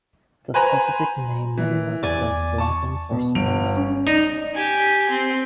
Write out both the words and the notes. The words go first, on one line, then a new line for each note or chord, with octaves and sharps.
The specific name "minimus" is Latin for "smallest".
B4 C5 G#5 A#5 B5
D#3 E3
E2 D5 G#5
A5 C#6
B2
G1 D7 F7
C#4
D#4 D5
G4 G#5
C4